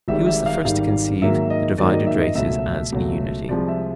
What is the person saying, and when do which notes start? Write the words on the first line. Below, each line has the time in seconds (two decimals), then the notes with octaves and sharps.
He was the first to conceive the divided races as a unity.
0.08 G#1 G#2 D#3 G3 E5
0.26 E5
0.46 F5
0.64 G#1 G#2 D#3 G3 F5
1.22 G#2 D#3 F#3 A#3 E5
1.50 D#5
1.78 G#2 D#3 F#3 A#3 D5
1.93 D#5
2.07 E5
2.21 D#5
2.35 C#2 B2 F#3 A3 E5
2.92 C#2 B2 F#3 A3
3.49 C2 C3 F3 G#3 D5
3.68 E5